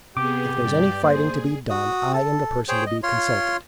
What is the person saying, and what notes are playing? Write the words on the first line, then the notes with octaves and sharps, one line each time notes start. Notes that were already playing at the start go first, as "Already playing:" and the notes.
If there is any fighting to be done, I am the person to be consulted.
C3 B3 G4 G#4 D6
G2 D5
A#3 G#4 C5
F#4 D#6
A4
G#4 C5 C#5 G5
D#5
F4 C#5 C6